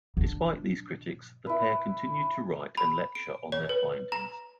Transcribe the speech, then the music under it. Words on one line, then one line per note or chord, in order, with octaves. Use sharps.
Despite these critics the pair continued to write and lecture on their findings.
D3 D4
E4 B4
B5
D7
C#5
B4
A#5